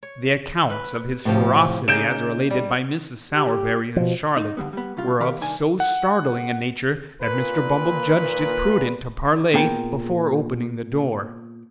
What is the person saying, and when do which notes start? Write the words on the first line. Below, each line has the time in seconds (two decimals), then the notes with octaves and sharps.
The accounts of his ferocity as related by Mrs. Sowerberry and Charlotte, were of so startling a nature, that Mr. Bumble judged it prudent to parley, before opening the door.
0.03 C#5
0.70 B4
1.25 A2 C3 F3
1.88 C#3 A#3 D#4 D#5 G6 D7 E7
2.50 G3
3.32 G4
3.96 B2 F3
4.37 D#4
4.57 G2 D3 G3 B3
4.73 G3 B3
4.97 C#3 G3 F4
5.20 D#3 B3 G4 A#4 F5 B5
5.41 C2 D#3 D4 G#5
5.80 F#5
7.22 A#2 B4
9.54 A#2 B3 G#4 A#4 G5